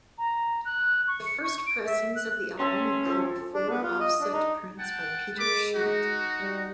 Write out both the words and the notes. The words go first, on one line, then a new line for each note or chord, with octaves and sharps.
The first pressings of the album included four offset prints by Peter Schmidt.
A#5
F#6
C#6
C#7
C#6
D7
E5
F#6
C#4 E5 A5 C6
F3 A4
D4
B3
F4
D#5
D4
D#4
F#5 G5 A5
G#3 A4 B5 D6
D#4 F#4
G3